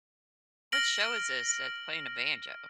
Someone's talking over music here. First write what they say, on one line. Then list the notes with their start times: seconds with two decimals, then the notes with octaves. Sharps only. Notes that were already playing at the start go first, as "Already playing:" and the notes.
Which show is this that's playing a banjo?
0.72 F6 A#6 D7 F#7